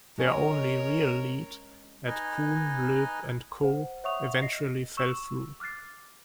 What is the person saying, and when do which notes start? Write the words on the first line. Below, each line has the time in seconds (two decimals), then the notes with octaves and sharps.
Their only real lead, at Kuhn, Loeb and Co., eventually fell through.
0.18 G#3 C#4 A#4 C#5 D#5
2.07 D#4 B4 D#5 G#5
3.63 C5 F#5
4.04 C#5 E5 F#5 C#6 D#6 F7
4.42 D#5 A#6 C7
4.97 C#6 E6 E7
5.60 D6 F6 F#6 A6 C7